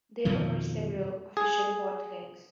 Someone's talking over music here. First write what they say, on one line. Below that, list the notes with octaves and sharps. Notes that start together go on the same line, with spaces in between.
There are several official bottlings.
F2 B2 D#3 F3
G#4